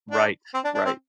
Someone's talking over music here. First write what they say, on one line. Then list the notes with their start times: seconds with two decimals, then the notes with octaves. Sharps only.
Right, right.
0.11 D4
0.54 C4
0.64 D4
0.75 D4
0.85 C4